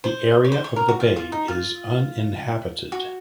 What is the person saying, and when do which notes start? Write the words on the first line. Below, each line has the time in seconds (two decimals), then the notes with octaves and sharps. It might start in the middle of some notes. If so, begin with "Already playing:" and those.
The area of the bay is uninhabited.
0.04 C5
0.45 C#5
0.52 C5
0.64 C#5
0.76 A#4
0.88 F#4
1.00 F4
1.16 F4
1.32 D#4
1.48 F4
2.92 F#4